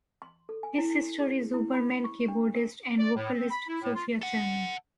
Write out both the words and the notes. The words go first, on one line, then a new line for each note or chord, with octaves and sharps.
His sister is Ooberman keyboardist and vocalist Sophia Churney.
C6
A4
G#5
E4
E4
G#4
E4
B5
C#6
D4
A#4
D5
A2
C4
B5
E4
A2
F4
A4 F#5